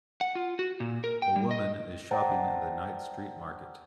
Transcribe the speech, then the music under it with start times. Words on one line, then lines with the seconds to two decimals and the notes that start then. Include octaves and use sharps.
A woman is shopping in the night street market.
0.21 F#5
0.35 F4
0.59 F#4
0.80 A#2
1.04 A#4
1.22 G5
1.36 G3
1.51 D#5
2.11 C5 D5 F#5 G5 A5 A#5